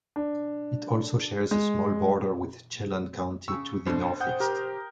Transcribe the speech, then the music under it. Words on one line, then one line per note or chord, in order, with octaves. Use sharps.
It also shares a small border with Chelan County to the northeast.
D4
G#3
C#3 C#6 E6
G2 B2 D3 C5
F#5 G5 D#6 G6
G4 A#4